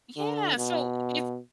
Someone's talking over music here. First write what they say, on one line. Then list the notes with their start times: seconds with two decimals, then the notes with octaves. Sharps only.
Yeah. So if
0.16 D3
0.56 B2